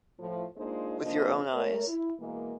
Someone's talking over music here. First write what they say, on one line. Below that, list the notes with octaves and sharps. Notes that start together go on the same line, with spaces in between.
With your own eyes?
A2 F3
G#3 A#3 D4 D#4 F4 C5
F2 C3 F3 A#3 D4 D#5
A3 A#4 C#5
E4
B2 E3 G#3 A#3